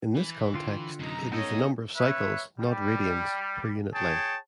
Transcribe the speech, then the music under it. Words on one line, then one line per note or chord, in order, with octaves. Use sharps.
In this context, it is the number of "cycles"-not radians-per unit length.
E3
D3 F4 G5
F#2 C3 D#4 A#5
B3 C#4 D#4 A4 A#4 C#5 D#5
B4 C#5 E5
G3
G#4 C#5 G5 A5